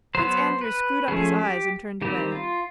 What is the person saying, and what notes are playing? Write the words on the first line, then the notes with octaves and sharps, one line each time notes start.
Prince Andrew screwed up his eyes and turned away.
F#3 B3 C5
B4
F3 A3 C#4 G#4
G4
D#3 G3 C4 G4
F4